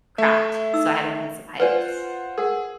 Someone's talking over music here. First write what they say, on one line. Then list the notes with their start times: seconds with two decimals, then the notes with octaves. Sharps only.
cracked, so I had to replace the pipes.
0.18 A3 E5
0.73 D#4 D#6 E6
1.60 F4 B4 C5 D5 F#5 G#5
2.38 G#4 A#4 F#5